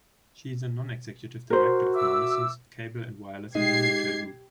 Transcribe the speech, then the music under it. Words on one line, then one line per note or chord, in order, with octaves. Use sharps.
She is a non-executive director of Morrisons, Cable and Wireless and Home Retail Group.
F#4 A#4 C5
E5 D6 E6
G#3 D#4 G4 G#6 C7